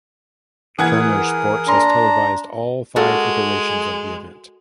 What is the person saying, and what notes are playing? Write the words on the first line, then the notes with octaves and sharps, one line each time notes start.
Turner Sports has televised all five iterations of the event.
E3 G#4 A#4 F#5 D#6 G#6
D4 A#5 C6
G#3 F#4 A4 A#4